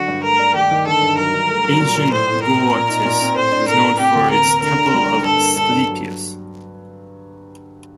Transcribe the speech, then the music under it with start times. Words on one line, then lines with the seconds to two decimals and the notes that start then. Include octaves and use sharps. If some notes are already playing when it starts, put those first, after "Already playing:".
Ancient Gortys was known for its Temple of Asclepius.
Already playing: D3 F#3 F#4
0.08 G2
0.24 A3 A#4
0.39 D4
0.55 D#2 G4
0.71 D#3
0.86 D3 A4
1.02 G2
1.18 F#3 A#4
1.34 G2
1.49 A3
1.65 F#3
1.80 A#2
1.96 A#2
2.11 A2 C5
2.27 A2
2.43 A2 A#4
2.58 C4
2.74 A#2
2.90 D#4
3.05 A#2
3.21 C4
3.36 A2 C5
3.52 D4
3.68 A2 A#4
3.84 A3
3.99 C3 G4
4.15 D2
4.30 A#3 A#4
4.47 D2
4.62 D3 A#4
4.78 D3
4.94 G3
5.09 D3
5.25 G2 A4
5.40 A#3
5.56 G2 A4
5.72 G2
5.88 F#3